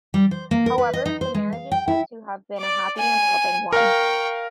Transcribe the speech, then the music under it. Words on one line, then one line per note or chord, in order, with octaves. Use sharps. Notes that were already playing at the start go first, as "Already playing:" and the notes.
However the marriage is said to have been a happy and loving one.
G3
C5
A#3
A#4
B4
D#5
D#4
C5
G#3
F5
G5
E4
D5 D6
G#5
A#4 F5 G5 C#6